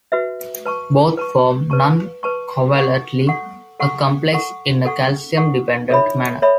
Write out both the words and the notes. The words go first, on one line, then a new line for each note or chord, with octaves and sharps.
Both form non-covalently a complex in a calcium-dependent manner.
F#4 B4 E5
B4 A5 C#6
B4 A5 C#6
B4 A5 C#6
B4 A5 C#6
A4 F#5 C#6
A4 F#5 C#6
A4 F#5 C#6
A4 F#5 C#6
A4 F#5 C#6
A4 F#5 C#6
A4 C#5 E5 B5
A4 C#5 E5 B5